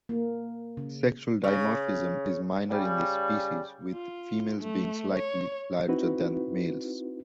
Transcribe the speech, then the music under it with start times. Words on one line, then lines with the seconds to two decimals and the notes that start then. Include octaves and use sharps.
Sexual dimorphism is minor in this species with females being slightly larger than males.
0.09 A#3
0.77 C#3
1.44 C#3
2.71 C#3 G3
3.92 F4
4.61 A3
5.15 C#5
5.88 C4 D#4 E4 F#4 B4